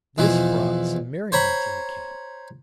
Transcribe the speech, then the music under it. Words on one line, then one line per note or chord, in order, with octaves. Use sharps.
This brought some merriment in the camp.
E2 B2 E3 F3
C5 C#5 A#5 B5